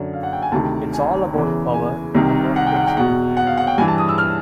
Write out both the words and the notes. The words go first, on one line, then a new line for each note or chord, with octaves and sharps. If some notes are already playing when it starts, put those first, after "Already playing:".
It's all about power and not principle.
Already playing: F#2 D3
F5
F#5
G5
G#5
D2 C3 D#3 A5
G#5
E2 C#3 E3
G#5
C2 C3 D#3
F#5
G5
F#5
G5
E2 B2 F#5
F#5
F5
F#5
G5
G2 E3 G#5
A5
D#6
E6
F6